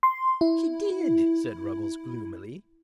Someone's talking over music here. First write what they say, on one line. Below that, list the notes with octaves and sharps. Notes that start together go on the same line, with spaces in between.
"She did," said Ruggles gloomily.
C6
E4